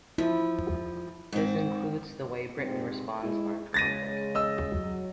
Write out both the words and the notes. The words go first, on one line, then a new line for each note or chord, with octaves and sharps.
This includes the way Britain responds armed conflict.
F3 E4
G#2 C4
G#2 C3 C4
G#3 E4
C#3 G#3 A6 A#6 D#7
D#5 E6
F#3